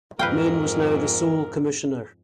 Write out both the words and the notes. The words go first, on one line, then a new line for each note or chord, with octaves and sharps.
Mayne was now the sole Commissioner.
F2 G#2 A#4 B4 F5 G5